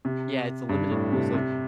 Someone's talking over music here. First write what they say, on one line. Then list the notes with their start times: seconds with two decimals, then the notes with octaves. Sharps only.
Yeah, it's a limited pool, so
0.05 C3
0.69 G2
0.91 A2
1.12 C3
1.34 C3